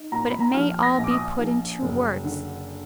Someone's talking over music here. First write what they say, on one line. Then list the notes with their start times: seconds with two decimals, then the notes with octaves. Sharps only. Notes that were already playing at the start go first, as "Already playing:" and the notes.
But it may all be put in two words.
Already playing: D#4
0.12 A#2 A#5
0.27 B5
0.40 A#5
0.54 F3 F6
0.83 A#6
0.98 A#1
1.04 D6
1.11 D#6
1.39 F3
1.82 F#1
2.24 D3